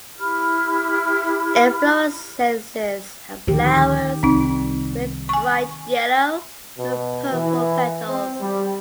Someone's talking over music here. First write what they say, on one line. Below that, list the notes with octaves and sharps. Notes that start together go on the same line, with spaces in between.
Inflorescences have flowers with bright yellow and purple petals.
E4 G4 B5 F6
D2 A#2 D#3 F3 G4
C2 G3 C4 D#4
G#5 C#6
B2
E3
C4
G3